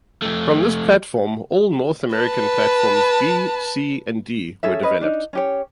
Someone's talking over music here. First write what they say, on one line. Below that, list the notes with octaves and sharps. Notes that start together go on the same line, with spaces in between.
From this platform, all North American platforms B, C, and D were developed.
F2 A3
B4 A5
C#4 G#4 A4 E5
C#4 B4 D#5
D4 D#4
C#4 G4 C#5